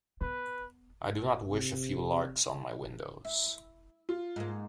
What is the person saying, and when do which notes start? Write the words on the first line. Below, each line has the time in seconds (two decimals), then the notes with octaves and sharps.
I do not wish a few larks on my windows.
0.21 B3 B4
1.49 C3
3.25 E4
4.09 F4
4.36 G#2 A#3